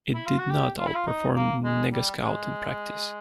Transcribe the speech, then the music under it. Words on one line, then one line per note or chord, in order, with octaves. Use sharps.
It did not outperform NegaScout in practice.
E4
F4
F#4
G4
F4
E4
F4
D#4
A#3
G#3
G3
G#3